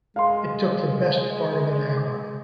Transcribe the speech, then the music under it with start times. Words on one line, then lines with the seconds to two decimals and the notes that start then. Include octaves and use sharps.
It took the best part of an hour.
0.16 G#3 F5 C6